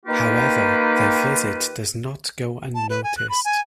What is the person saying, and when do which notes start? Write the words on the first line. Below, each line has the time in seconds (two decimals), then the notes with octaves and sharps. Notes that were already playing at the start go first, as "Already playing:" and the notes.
However, their visit does not go unnoticed.
0.06 D#3 A#3 D#4 F4 G4 B4
2.75 A5
2.89 B4
3.04 G#5
3.17 F#6
3.30 B5
3.45 G#5